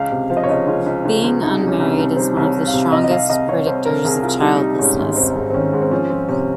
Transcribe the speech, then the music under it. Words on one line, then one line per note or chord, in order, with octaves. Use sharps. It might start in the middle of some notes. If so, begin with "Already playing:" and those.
Being unmarried is one of the strongest predictors of childlessness.
Already playing: C#2 F5
C3
F3 F5
D#5
C#5
C#2 D#5
C#2 F4
C#2
C#2
C#2
C2 D#4
G3
C#4
C2
D#4
C2
G3 C5
C2
C#5
G3
F5
C3
C2 D#5
D#5
C2 F5
C2 D#5
C2 C#5
C2 C5
C2 A#4
C2 G#4
C2 F4
G3 D#4
G3
G#2 C#4
G#1
G#1 C4
G#2
C4
D#3 C#4
G#2
C4
F3 C#4
F3 C4
C3 C#4